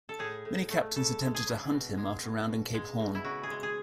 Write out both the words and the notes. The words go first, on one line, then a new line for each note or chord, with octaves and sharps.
Many captains attempted to hunt him after rounding Cape Horn.
A4
A2 G#4
A2
A3
C#3 A4
G#3
G#4
C#3
B2
G#3
B2
B2
G#3
B2
E4
C#3 F#4
G#4
G#3
G#4